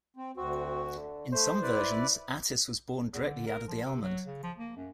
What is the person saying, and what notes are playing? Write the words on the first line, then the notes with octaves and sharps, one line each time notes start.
In some versions, Attis was born directly out of the almond.
C4
D2 C4 F#4
D3
A3 C5
E4 B4 D5
E2
D3
A#4
F3
C3
F#3
C#3
F3
A#3
F#2